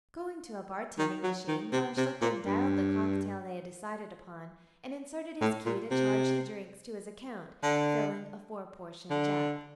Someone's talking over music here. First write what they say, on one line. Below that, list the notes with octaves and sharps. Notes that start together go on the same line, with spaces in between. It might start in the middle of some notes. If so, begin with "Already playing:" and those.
Going to a bartending machine, von Schlichten dialed the cocktail they had decided upon and inserted his key to charge the drinks to his account, filling a four-portion jug.
D#3
F#3
D#3
C3
C3
A#2
G2
A2
A#2
C3
D3
D3